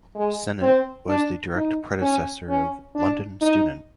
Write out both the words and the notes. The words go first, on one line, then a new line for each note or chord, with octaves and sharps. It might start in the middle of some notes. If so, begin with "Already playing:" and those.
"Sennet" was the direct predecessor of "London Student".
G#3
C4
D4
D#4
C#4
C#4
D4
D#4